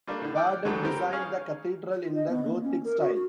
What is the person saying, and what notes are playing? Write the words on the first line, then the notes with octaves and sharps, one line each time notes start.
Wardell designed the cathedral in the Gothic style.
G3 A3 A#3 D4
A2 D3
D5 F#5 G5 F6
G#2 D3 F#3 A3 B3 G4
G3 C4 G4 A#4
C#4 G#4 F5 C#6
F4
D#5
B3
A#3
C#4
A#4
F#4
F#4